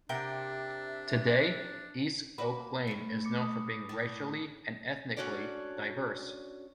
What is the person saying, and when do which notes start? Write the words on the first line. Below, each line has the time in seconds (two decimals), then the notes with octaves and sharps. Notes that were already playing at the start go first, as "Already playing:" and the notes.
Today, East Oak Lane is known for being racially and ethnically diverse.
0.09 C3 D4 A#4 E5 G5
2.38 A#3 F#4 B4 B5
2.87 A3 C#4
3.25 D6 C#7
3.41 D#6
3.89 A2 A6
5.17 C#4 D4 F#4 A4 C#5 D5